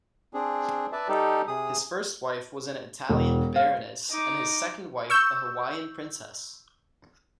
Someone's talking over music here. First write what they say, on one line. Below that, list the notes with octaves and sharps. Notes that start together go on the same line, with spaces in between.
His first wife was an Italian Baroness and his second wife a Hawaiian princess.
C4 D4 G#4
B4 D5 E5 A5
G3 D#4 G4 A4
C3 G#4 D#6
E1
F5
D#4 D6
C#6 E6 G6